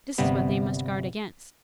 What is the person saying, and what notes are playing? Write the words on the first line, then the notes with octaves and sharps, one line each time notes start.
This is what they must guard against.
G1 C3 G3 B3